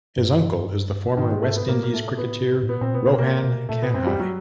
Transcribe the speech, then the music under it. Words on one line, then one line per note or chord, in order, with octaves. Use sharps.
His uncle is the former West Indies cricketer Rohan Kanhai.
G2
G#2 D#3
G#3
A3
B3
A2 A#3
A#3
A3
B3
A2
A#2 B3
A#2 C4
B2 B3
B2 A#3
C3 A#3
B2
A#2 A3
B3
F#2 C4
G3
F#3